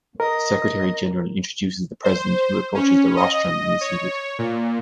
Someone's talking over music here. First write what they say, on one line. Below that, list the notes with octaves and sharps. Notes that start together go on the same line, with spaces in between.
The Secretary General introduces the President, who approaches the rostrum and is seated.
A#4 D#5
C5
C#4
D#5
C#5
A#2